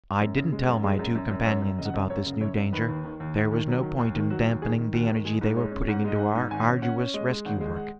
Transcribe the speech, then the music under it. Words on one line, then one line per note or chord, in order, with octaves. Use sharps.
I didn't tell my two companions about this new danger. There was no point in dampening the energy they were putting into our arduous rescue work.
F#2
C#3
G#3
F#2
G#3
F#2
F#2
F#2
F#2 C#5
F#2
C#3 D#5
F#5
F#2 D#5
F#2 C#5
C#3
F#2 C#5
F#2
D#3 B4
D#2
D#3
D#2
D#2
D#3
F#3
D#3
D#2
D#3
F#3 F#4
D#2
D#3 G#4
D#3
D#2 F#4
D#3
G#3 G#4
G#2
G#3 C#5
C#4
G#2 F#5
G#3 D#5
G#2 F#5
G#2
G#1 G#5
C#4
C#4 F#5
C#4
G#3 D#5
G#3
G#1 F#5
G#3
F#5